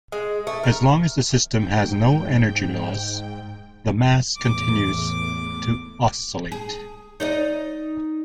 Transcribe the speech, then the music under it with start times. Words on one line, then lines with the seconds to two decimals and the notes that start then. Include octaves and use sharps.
As long as the system has no energy loss, the mass continues to oscillate.
0.12 G#3
0.47 A3
0.63 A#4
1.53 G#2 G5
4.37 E2 A2 D6
6.52 G#4
7.20 D#4 D5 D#5